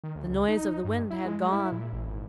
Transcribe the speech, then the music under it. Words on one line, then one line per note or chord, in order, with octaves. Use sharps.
The noise of the wind had gone.
D#3
D2
C#2
D#4
G2
E4
G#3
G#3
E4
A#2
A1
G#1